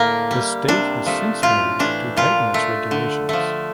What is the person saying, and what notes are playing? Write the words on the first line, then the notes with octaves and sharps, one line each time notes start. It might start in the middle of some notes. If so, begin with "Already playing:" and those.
The state has since moved to tighten its regulations.
Already playing: A2 D3 A#3
G3
C3 D4
F3 A3
A2 F4
E3 A3 D4
A#2 F4
A3
D3
F3 A3